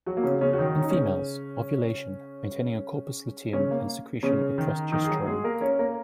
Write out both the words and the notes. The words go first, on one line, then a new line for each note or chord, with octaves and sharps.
In females: ovulation, maintaining of corpus luteum and secretion of progesterone.
F#3 F#4
A#3
C#3 C#4
C#3 C#4
F#4
D#3 D#4
C#4
D#4
C#3 C#4
C#3 C#4
A#3
C#3 C#4
D#3 D#4
D#3 D#4
G#4
F#3 F#4
G#3 G#4
A#3 A#4
C#4 C#5
A#3 A#4